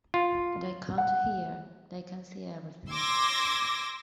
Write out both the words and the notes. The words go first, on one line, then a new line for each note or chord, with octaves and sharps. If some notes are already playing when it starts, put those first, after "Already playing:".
They can't hear, they can see everything.
F4
F#5
C6 D6 E6 G#6 A#6